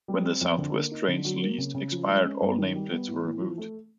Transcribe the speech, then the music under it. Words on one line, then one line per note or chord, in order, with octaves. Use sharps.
When the South West Trains lease expired all nameplates were removed.
G3
C4
F2
D3
A#3
D#4
D3
F#3
A#3
C#3
C#3
F3
G#3
C#4
G2
D#3
G3
B3
A2
E3
F3
A3